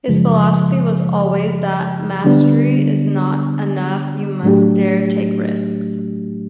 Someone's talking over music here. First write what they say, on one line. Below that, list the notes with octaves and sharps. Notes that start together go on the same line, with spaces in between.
His philosophy was always that "mastery is not enough; you must dare, take risks".
F#2 C#3 F3 G#3
D3 G3 B3 D4
A2 F#3 A3 D4 G4